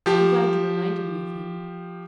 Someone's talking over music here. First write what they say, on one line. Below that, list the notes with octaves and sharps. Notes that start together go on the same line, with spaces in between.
I'm glad you reminded me of him.
F3 G4